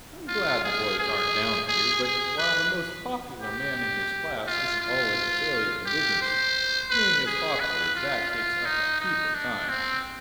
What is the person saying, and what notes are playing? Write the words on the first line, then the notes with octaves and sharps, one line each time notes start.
I'm glad the boys aren't down on you, but while the most popular man in his class isn't always a failure in business, being as popular as that takes up a heap of time.
F4
G#4
G#4
G#4
G#4
B4
G4
F4
F4
G4
C5
B4
G#4
B4
F4
F4
D#4
D#4
D4
C4